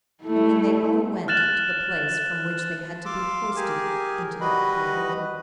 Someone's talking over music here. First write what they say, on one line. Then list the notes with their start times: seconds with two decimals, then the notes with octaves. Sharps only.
And then they all went to the place from which they had to be hoisted into the upper world.
0.23 A3 E4
1.28 F6 F#6 A6 E7 F#7
3.06 F5 C6 D6 E6
3.56 G4 G#4 A#4 G#5
4.41 G3 F#4 B4 D#5 B5